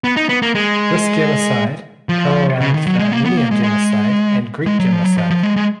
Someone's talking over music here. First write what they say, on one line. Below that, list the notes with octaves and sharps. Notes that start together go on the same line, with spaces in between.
This genocide paralleled the Armenian genocide and Greek genocide.
B3
D#4
B3
A#3
G#3
F3
C#3
D#3
F#3
G#3
A#3
B3
A#3
G#3
G#3
G#3
F#3
F3
F#3
F3
F3
G#3
G#3